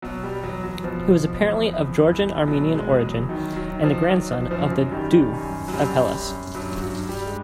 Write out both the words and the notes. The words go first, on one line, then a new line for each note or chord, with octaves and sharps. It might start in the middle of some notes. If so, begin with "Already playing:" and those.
He was apparently of Georgian-Armenian origin and the grandson of the "doux" of Hellas.
B2 F#3
G3
E2 F#3
F#3
B2 F3
E2
E2
E2
B2 F#3
G#3
E2
F#3
D#3 F#3
F#3
D#3
F3
D#3 F#3
F3
F#2 F3
F#3
D#3 G3
F#2
F#3
F#2 G3
F#2
G2 F#3
F#3
G2
G3
G#3